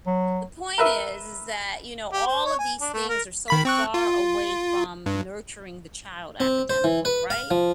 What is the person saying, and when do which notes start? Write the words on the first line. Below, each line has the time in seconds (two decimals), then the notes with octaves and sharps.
The point is, is that, you know, all of these things are so far away from nurturing the child academically, right?
0.07 F#3
0.78 A#4 B4 E5
2.13 G4
2.27 C5
2.45 C#5
2.59 G#5
2.81 D4
2.93 A3
3.09 A#4
3.48 D#3 B5 B6
3.65 C4 C#6 F#6
3.94 F4
5.06 G2
6.40 C4
6.70 C5
6.84 E3
7.05 B4
7.30 F5
7.51 F3